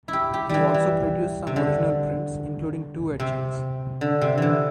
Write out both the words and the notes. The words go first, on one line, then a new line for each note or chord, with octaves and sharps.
He also produced some original prints, including two etchings.
E4
G4
G4
E3 G3
E3
C3
D3
C3
D3
C3
D3 E3